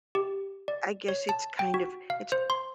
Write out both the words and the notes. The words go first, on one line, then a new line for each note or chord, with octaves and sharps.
I guess it's kind of, it's
G4
D5
C#5
A5
G5
F#4
F5
C5
C6